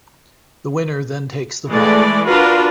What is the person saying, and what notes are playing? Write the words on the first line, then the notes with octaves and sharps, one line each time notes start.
The winner then takes the pot.
E3 G#3 A3 D5
D4 F4 F#4 A#4 B4